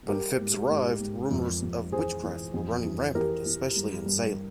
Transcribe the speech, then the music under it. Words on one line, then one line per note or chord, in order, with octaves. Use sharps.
When Phips arrived, rumors of witchcraft were running rampant, especially in Salem.
G3 G4 A#4
G#2
G#2
G#2
F2
F2
E3 G#4 C5
E3
F2
E3
E3 G4 A#4
E3
G2
G2